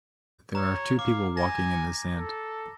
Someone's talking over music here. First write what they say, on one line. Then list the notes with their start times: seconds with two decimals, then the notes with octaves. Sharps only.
There are two people walking in the sand.
0.55 C#5 A#5
0.99 F5 D6
1.37 G#5 A#6
2.16 A4